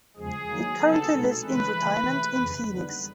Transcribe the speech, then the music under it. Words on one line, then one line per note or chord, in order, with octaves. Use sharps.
He currently lives in retirement in Phoenix.
E2 C#3 F3 G#3 G#4
D#3 F#3 A#3 D#4
C#3 F#3 B3 A4
B2 G#3 C4 D#4
C#3 E3 G#3 C#4 B4
C#3 E3 A3
C3 E3 A3
F2 C#3 E3
D3 G3 B3 D#4